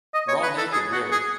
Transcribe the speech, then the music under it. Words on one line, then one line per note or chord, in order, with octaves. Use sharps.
We're all naked really.
D#5
C#5
B4
A4
G#4
F#4
G#4